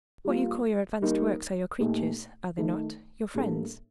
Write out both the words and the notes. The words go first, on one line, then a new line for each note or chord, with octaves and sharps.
"What you call your advanced works are your creatures, are they not--your friends?"
G3 A#3 F4
G3 A#3 D#4 A#4
A#2 A3 D#4 G4
D#3 A3 D#4
A2 G3 A#3 D4 A4